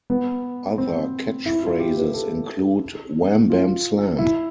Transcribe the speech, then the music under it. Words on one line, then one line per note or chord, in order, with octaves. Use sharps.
Other catch phrases include Wham Bam Slam!
B3
C4
E4
F4
G4
B4
A4
F4
E4